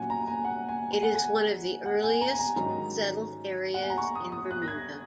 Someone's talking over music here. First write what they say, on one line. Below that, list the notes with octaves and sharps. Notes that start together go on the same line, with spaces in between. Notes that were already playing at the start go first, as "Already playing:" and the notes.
It is one of the earliest settled areas in Bermuda.
Already playing: A#2 F#3 C#4 F#5 G#5
A#5
G#5
F#5
G#5
G#5
F#5
G#5
F#5
G#5
A#5
G#5
A#5
G#2 D#3 F#3 C#4 A#5
F#5
G#5
A#5
C#6
D#6
D#6
F#6
A#6
G#6